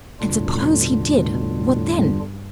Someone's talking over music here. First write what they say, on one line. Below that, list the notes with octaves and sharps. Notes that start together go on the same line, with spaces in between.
And, suppose he did, what then?
E2 A2 D3 G3 D4 F4
B2
A2
B2
A2
B2
A2
B2
A2
B2
A2
B2
A2
B2
A2
B2
A2
B2
A2
A2
G2